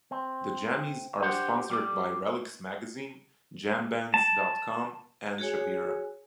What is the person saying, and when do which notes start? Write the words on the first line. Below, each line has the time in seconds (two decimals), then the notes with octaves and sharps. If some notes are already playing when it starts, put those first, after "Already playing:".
The Jammys are sponsored by Relix magazine, Jambands dot com, and Shapiro.
0.11 C4
1.22 D4 G4 C5 F#5
1.70 G3 D5
4.14 A5
5.38 F#4 G#4 C#5 G#5